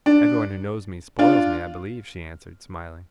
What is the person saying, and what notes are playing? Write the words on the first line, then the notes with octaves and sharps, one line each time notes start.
'Everyone who knows me, spoils me, I believe,' she answered, smiling.
D4
D4 F4